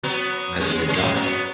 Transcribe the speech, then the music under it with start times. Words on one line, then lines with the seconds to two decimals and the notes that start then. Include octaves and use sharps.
you guys have moved on.
0.03 F#3 B3
0.60 G#3 C#4
0.78 B3
0.89 G#3 C#4
1.16 F#3 B3